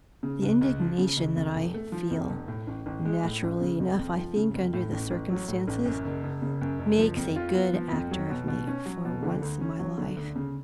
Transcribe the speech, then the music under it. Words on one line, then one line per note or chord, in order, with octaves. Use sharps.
The indignation that I feel--naturally enough, I think, under the circumstances--makes a good actor of me for once in my life.
C#3
C#2
C#2
F3
C#3
C#2
F2
F1
A3
F3
F2
F1
A2
A1
A1
G#3
A2
A1
C#3
F2
F2
F3
C#3
F2
A2
A1
A1
F#3
A2
A1
F#2
F#1
F#1
C#3
F#2
F#1
F3
F2
F4
B3
F3
F2
F#3
B2
B2
C#4
F#3
B2
D3
D2
C#4
F#3
D3
D2
C#3